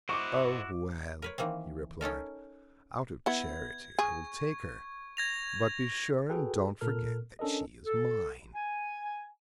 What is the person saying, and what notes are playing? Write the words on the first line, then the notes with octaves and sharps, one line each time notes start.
"Oh! well," he replied, "out of charity I will take her; but be sure and don't forget that she is mine."
E4 F#4 C5 D#5 F#5 C#6 D6
A#4 B4 C#5
D#3 E3 A#3 C4
C#4 D#4 A4 A#4
B3 E4 G#6
G#4 C#6
G#6 A#6 F7
F#4 G#4 A4 B4 G5
A#2 A4 A#4 F6
C#4 D4 A4 A#4 D#5
A4
G#5